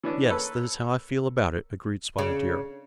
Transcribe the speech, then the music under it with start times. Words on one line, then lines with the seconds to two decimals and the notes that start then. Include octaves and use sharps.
"Yes, that is how I feel about it," agreed Spotted Deer.
0.03 E3 C#4 D4
0.30 A#3 A4 B4 C#5
2.18 C#3